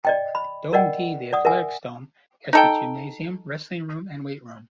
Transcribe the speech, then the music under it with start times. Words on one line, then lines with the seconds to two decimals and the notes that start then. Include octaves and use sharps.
Dome D, the athletics dome, has the gymnasium, wrestling room and weight room.
0.05 D5 D#5 G5
0.35 B5
0.73 A#4 D5 D#5 F#5 G5
1.33 D5 F#5 D#6
1.45 A#4 E5 F#5 G#5
2.53 D#4 A4 G5